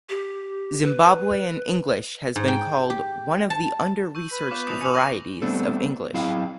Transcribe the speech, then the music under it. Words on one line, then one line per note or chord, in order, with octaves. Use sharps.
Zimbabwean English has been called "one of the under researched varieties of English".
G4
B4
G#2
G5
G4
A5
C#6 E6 G6
B4
B3 F4 D6 G6
A#1 B2 D#6 F7
G#5 E6 C#7 F7
C#6 A#6 F#7
G3 A3 B3 C4 D4 A4
F#3 C4 E4 G#4 F5